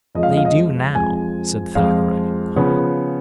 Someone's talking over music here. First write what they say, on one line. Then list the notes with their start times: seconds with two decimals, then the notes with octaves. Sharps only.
"They do now," said Thackeray, quietly.
0.15 F2 F3 G#3 D#5
0.23 F5
0.30 D#5
0.37 F5
0.45 D#5
0.95 F2 F3 G#3 G#5
1.75 F2 F3 G#3 F5
2.56 C#3 F3 B3